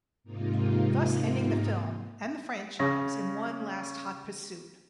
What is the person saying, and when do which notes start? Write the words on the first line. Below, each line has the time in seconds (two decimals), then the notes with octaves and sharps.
Thus ending the film, and the franchise, in one last hot pursuit.
0.24 G#2 C3 A#3 D#4 F4
2.79 C#3 C#4 A#6